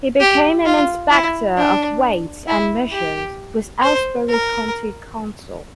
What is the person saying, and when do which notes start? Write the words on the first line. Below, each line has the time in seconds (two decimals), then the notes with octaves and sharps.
He became an inspector of weights and measures with Aylesbury County Council.
0.20 G4
0.66 F4
1.11 E4
1.57 D4
2.48 E4
2.92 G4
3.84 C5
4.29 A#4